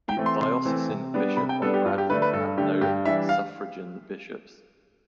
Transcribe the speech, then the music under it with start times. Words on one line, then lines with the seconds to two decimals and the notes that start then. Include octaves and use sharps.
The diocesan Bishop of Bradford had no suffragan bishops.
0.09 G5
0.17 E3 A3 C4
0.26 C6
0.41 C3 C6
0.65 E3 A3 C4
0.89 C3
1.14 G3 B3 D4
1.37 C3 B5
1.49 G5
1.62 G3 B3 D4 A4
1.74 G4
1.85 G2 F4
1.98 G4
2.09 D3 A3 D4 B4
2.22 B4
2.33 G2 A4
2.58 D3 A3 D4 G4
2.81 G2 G4
3.05 E3 G3 D4 E5
3.29 F5